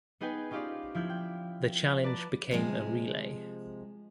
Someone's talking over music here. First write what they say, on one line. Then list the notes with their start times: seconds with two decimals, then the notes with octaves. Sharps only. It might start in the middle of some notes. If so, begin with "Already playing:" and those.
The challenge became a relay.
0.21 B3 D#4 G#4 B4 G5 G#5
0.51 C#4 D#4 F4 G4 C5 D5
0.95 F3 A#3 E4 F6 G6 G#6
1.09 G5
2.03 B4 D5 A5 A#5 A6
2.51 C3 F3 G#3